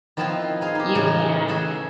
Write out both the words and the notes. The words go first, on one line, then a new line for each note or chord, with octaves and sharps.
you can
D#3 F3 B3 C4 E4 F4
D#4 G#4 F5
D#4 G4
A2 C#3 E3 D#4
F#4 G#4 A4 E5